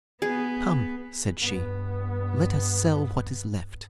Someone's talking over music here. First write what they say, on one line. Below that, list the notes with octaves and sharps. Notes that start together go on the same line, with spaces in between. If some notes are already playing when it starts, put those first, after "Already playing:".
"Come!" said she, "let us sell what is left."
B3 G#4
G2 B3